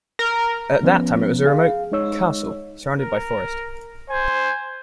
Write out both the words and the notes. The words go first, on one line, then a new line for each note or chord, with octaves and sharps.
At that time it was a remote "castle", surrounded by forest.
A#4
F3 B3 C#4
G#4 F5
G#3 D#4 C#5 E6
A#4
C5 G#5